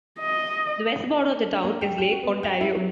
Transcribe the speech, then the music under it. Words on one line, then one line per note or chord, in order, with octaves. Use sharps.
The west border of the town is Lake Ontario.
D#5
D4
A#3
G5
G5
F#4
B3
G5
E4
F#3